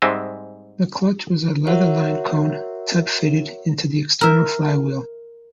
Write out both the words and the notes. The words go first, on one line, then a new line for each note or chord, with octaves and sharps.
The clutch was a leather lined cone type fitted into the external flywheel.
G#2 G3 G#3 C4 D#5 E5
F#4 A#4 C#5 E5 F#5
A#4 E5